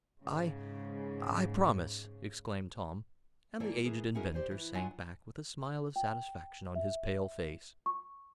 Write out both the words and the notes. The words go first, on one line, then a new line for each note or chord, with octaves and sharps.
"I--I promise!" exclaimed Tom, and the aged inventor sank back with a smile of satisfaction on his pale face.
G#2 C#3
E3 A3 A#3 E4 A4 D5
E3 G#4 A#4
C#4 E4 F#4 G#4 A#4 D#5
G4 C5 D5
E3
F#3 D4 F4 D#5 F#5 G#5
G5
E5
C#6